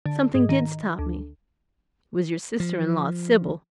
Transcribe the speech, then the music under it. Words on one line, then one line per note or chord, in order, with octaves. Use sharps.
Something did stop me; it was your sister-in-law, Sibyl.
D3
G#2
D#3
D2
F3